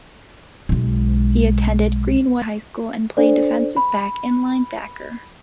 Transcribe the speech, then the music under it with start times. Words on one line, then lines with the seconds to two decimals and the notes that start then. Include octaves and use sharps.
He attended Greenwood High School and played defensive back and linebacker.
0.69 B1 G#3
3.17 D4 A4 C5 D5
3.77 B5